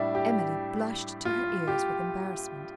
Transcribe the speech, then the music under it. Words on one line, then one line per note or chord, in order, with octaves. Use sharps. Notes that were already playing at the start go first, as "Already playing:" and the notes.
Emily blushed to her ears with embarrassment.
Already playing: A2 G3 D4 D5 E5
G4
F4
G4